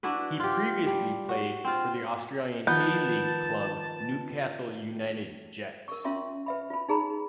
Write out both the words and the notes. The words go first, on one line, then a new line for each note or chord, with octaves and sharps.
He previously played for the Australian A-League club Newcastle United Jets.
D4 E4 F#4 B4
F4 G4
G3
F#4
C4 F4
D#3 F3 B3 A5 G6
A#4 C#6
C#4 F4 E5 C6 C#6
B4 E5 B5
F4 B5
D#4 G#4 A#5 B5